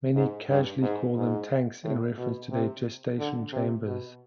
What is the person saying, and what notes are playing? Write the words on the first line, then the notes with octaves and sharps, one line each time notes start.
Many casually call them "tanks" in reference to their gestation chambers.
G#2
G2
G#2
G#2
A2
B2
C3
D3
C3
B2